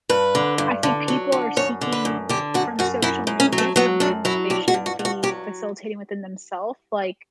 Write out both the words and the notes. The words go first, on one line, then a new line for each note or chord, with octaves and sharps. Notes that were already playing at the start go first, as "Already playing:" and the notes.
I think people are seeking from social media something that they should be facilitating within them self, like
G2 B4
D3
G2
D3
F#3
D3
F#2 C#5
D3
B4
F#2
D3 G4
F#2 F#4
F#2 F#4
F#2 E4
F#2
C#4
F#3
A3
F#3 B3
F#2 D4
F#3 E4
G2 G4
F#4
G2
F#4
G2
F#4
F#3 G4